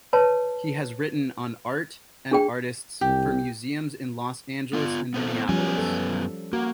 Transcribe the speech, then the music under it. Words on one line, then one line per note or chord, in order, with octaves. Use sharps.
He has written on art and artists for museums in Los Angeles and Minneapolis.
B4 C#5 A5 A#5
D4 G#4 G5
C2 G4
B3 F4
B3 C4 A4
F#2 F3 G3 B3 C#4 G#5
A4
A#3 F#4